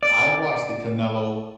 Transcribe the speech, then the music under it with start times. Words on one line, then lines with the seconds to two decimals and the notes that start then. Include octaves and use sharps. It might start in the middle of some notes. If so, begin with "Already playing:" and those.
I watched the Canelo
0.03 D5